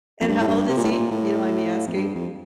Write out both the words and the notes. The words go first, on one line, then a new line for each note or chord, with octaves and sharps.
And how old is he? If you don't mind me asking?
F2
G2
A2
G2
C3
A#2
A2
A#2
A2
F2
G2
F2